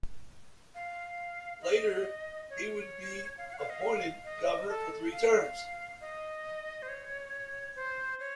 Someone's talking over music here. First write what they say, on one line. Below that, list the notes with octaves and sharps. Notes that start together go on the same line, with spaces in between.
Later he would be appointed Governor for three terms.
F5
D#5
C#5
F5
F5
F#5
F5
D#5
F5
D#5
A4
F5
D#5
C5
C#5
C5
C#5